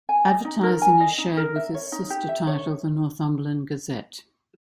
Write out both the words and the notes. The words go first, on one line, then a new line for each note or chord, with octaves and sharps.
Advertising is shared with its sister title the "Northumberland Gazette".
G#5
D#5
D#4
A#4
G#5
D#5
D#4
A#4
E5
C#5
D#4
G4
E5
C#5